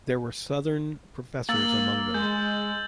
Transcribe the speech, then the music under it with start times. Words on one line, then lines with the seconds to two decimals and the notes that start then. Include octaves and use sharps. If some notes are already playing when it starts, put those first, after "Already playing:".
There were Southern professors among them.
1.49 A#3 E6 A6 F#7
2.14 G#3 G6